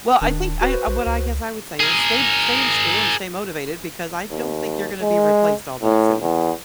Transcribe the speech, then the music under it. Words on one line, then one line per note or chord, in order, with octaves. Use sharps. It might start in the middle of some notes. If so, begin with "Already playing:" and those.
Well, I think, I uh, what I guess I would say, is stay stay in school, and stay motivated, because I don't think you're gonna be replaced all that soon.
D1 D#3 D4
F#4 B4 C5
A#1
C#2
G#4 A#4
D#2
G#3
A2
E2